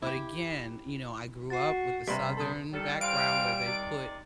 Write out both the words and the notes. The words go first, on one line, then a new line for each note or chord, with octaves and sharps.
but again, you know, I grew up with the southern background where they put
E4 G4
F#4 A6 C7
G2 C3 B5 C6 B6
A4 C6 D#6
D#3 G3 A4
E3 C5 F5 D7
C3 D#3 D5